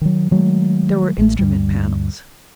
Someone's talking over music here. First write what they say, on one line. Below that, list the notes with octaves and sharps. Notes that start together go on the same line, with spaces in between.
There were instrument panels.
D#3 F#3
D#3 F#3 G#3 A3
A1 A3
D2 G2 G3